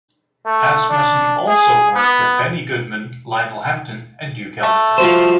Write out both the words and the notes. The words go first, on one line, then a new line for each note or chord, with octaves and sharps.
Asmussen also worked with Benny Goodman, Lionel Hampton, and Duke Ellington.
A3
D4
G#4
B3
A3
F4 F#4 C5